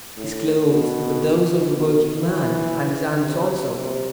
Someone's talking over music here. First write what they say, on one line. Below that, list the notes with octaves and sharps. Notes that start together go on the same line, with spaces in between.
His clothes were those of a working man, and his hands also.
A2
B2
B2
E3
C3
C3